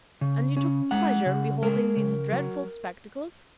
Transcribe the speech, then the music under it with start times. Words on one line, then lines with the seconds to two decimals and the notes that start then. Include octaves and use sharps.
"And you took pleasure in beholding these dreadful spectacles?"
0.21 C#3
0.57 C#4
0.91 G#3 F#5
1.26 C#3
1.62 G#3 A#4
1.97 C#3
2.32 F#3